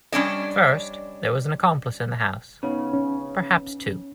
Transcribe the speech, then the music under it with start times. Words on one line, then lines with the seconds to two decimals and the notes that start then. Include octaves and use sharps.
First, there was an accomplice in the house — perhaps two.
0.12 G3 C#4 D4 D#5
2.63 C#3 B3 D#4 C#5
2.93 C#4